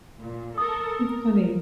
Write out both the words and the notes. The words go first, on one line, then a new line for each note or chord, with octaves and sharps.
That's funny.
A#2
A4 A#4 D#6
A#4